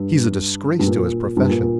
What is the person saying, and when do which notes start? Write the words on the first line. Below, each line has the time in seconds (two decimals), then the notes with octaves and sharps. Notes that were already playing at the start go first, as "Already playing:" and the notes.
"He's a disgrace to his profession!"
Already playing: G2
0.79 G2
0.86 A#2
1.37 G2
1.49 A#2